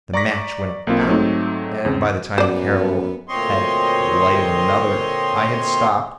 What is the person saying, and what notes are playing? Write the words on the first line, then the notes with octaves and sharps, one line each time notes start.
The match went out, and by the time Carroll had lighted another I had stopped.
D5 A#5 C#6 D6 A#6 B6
B1 A#3 C4 F4
G#2 F#3 A3 C4 D#4
E2 C#3 C4
F#2 B3 C5 D5
D2 A#2 C4 C#5 D#5 C6